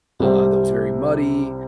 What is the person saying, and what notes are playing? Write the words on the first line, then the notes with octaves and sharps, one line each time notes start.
uh, that was very muddy
C2 C3 G3 C4